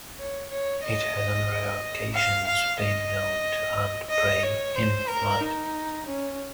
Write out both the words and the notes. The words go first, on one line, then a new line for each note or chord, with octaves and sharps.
It has on rare occasions been known to hunt prey in flight.
C#5
C#5
D#5
F5
F5
D#5
D#5
C#5
C5
A#4
D#4
C#4